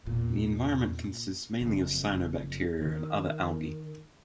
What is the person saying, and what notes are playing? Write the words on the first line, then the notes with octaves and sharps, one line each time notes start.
The environment consists mainly of cyanobacteria and other algae.
E2 A#2
F#1 F2
D#3